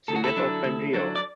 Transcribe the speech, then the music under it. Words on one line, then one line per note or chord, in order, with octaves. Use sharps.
See map of Bengeo.
D2 A4
F#4
E4 A4
D3 F#3 D4
D2
D3 F#3 D4
D5